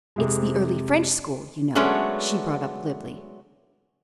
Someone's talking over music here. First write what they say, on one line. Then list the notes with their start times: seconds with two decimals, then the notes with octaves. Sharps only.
"It's the early French school, you know," she brought up glibly.
0.16 F2 C3 G#3
1.75 F#3 G#3 A3 B3 C#4 D4